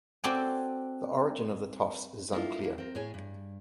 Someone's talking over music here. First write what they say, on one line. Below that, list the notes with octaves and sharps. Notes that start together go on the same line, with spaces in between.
The origin of the Tofts is unclear.
C4 F#4 A4 D5 G5 G#5
A#3 D4 E4 F4 A4
A#3 E4
C4 A#4
A2 G#4 C#5 G#5
G2